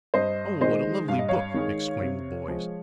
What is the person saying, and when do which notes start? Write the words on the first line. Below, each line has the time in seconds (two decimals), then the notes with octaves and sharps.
"Oh, what a lovely book!" exclaimed the boys.
0.14 G2 C5 D#5
0.61 D#3 G#3 C5 D#5
1.08 G2 F5
1.19 D#5
1.28 C#5 F5
1.54 D#3 G#3
2.01 C3
2.48 F3 G#3